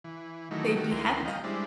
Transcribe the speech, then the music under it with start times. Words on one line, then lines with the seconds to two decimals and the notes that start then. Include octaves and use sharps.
they behead them.
0.04 E3
0.51 D#3 E3 F#3 A3 D#4
0.76 D#3 A3 F#4 G4
0.91 D2 E3 A#4 C6
1.25 D#5 F5 G5
1.44 G3 G#3 D4 E4 C5